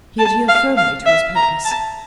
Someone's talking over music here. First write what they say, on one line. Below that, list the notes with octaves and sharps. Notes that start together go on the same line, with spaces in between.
He adhered firmly to his purpose.
A5
F5
F5
E5
A#5
A5